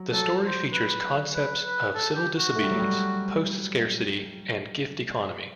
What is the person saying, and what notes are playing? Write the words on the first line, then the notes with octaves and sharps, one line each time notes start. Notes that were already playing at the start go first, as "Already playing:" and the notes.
The story features concepts of civil disobedience, post scarcity and gift economy.
Already playing: F#3
F#3 A4
C5
B4
B4
B4
A4
G4
F#4
A3
G3
F#3
G3